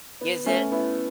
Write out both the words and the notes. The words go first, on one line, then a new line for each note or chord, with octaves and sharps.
Is it?
B3
A3 C#4
B3 E4